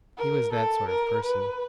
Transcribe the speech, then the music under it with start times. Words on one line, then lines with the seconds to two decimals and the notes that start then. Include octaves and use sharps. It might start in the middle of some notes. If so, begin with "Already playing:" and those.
He was that sort of person.
0.18 A#4
0.53 A4
0.89 A#4
1.24 B4